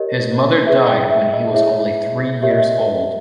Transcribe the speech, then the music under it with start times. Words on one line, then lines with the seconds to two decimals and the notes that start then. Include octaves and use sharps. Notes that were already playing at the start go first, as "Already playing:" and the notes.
His mother died when he was only three years old.
Already playing: G4 A#4 C#5 D#5
0.67 E4 G#4 B4 E5
0.88 G5
1.11 E5
1.33 D#5
1.54 E4 G#4 C#5 E5
2.42 G4 A#4 C#5 E5
2.50 D#5
2.58 E5